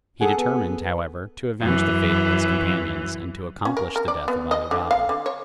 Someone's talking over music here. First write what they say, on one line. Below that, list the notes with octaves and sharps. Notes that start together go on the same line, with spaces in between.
He determined, however, to avenge the fate of his companions, and to accomplish the death of Ali Baba.
G#4 A4 F#5 G#5
B3
F#2 E3
C#4
A#4
A#4
D5
B3
D#5
D3
F5
D3
C#5